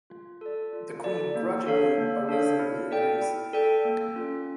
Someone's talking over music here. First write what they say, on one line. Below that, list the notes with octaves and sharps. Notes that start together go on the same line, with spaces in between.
The Queen, grudgingly, but reasonably, agrees.
F4
A4 D5
F4
A4 D5
A#3
D4 A4 C#5 F5
A#3
D4 A4 C#5 F5
E4
A4 D5 G5
E4
A4 D5 G5
A#3
C#4 F4 A4